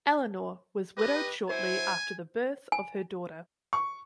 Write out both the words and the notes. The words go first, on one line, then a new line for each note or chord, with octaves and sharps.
Eleonore was widowed shortly after the birth of her daughter.
G4 B4 D#5
F#3 E4 C5 G#5
G#5
C#6